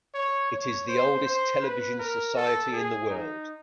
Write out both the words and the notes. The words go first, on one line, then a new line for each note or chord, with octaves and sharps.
It is the oldest television society in the world.
C#5
C#5
C5
C5
B4
A#4
A4
G#4
D#4